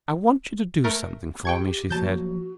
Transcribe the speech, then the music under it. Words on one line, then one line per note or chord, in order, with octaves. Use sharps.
"I want you to do something for me," she said.
A3 A#4
G4 G5 C#6 G#6
F3 F#3 A#3 F#4 A5 G6